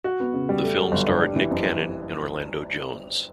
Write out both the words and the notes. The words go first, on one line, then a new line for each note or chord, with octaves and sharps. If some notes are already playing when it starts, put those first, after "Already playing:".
The film starred Nick Cannon and Orlando Jones.
F#4
B3
C#3
G3
A3
F#3
G1
G2
G3
E3
F#1